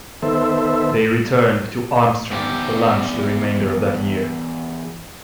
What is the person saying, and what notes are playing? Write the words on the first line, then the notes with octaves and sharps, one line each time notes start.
They returned to Armstrong for lunch the remainder of that year.
D#3 B3 A4 C5 E5
E2 G4